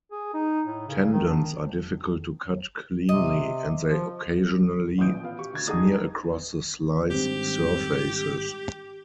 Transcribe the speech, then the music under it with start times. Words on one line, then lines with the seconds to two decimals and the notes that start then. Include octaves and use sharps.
Tendons are difficult to cut cleanly, and they occasionally smear across the slice surfaces.
0.12 G#4
0.34 D#4
0.67 A2
0.88 C#3
1.12 D#3
1.27 D4
3.09 C3 D#5
3.87 F3
4.98 A1 A#2 E3 D#6 G6 D7
5.12 F3
5.23 B3 F4 F5
5.39 G4 C#6
5.53 D2 G#6 A6
5.67 D4 D#4 G#4 F#5 D#6
7.10 G#1 G2 C4 G4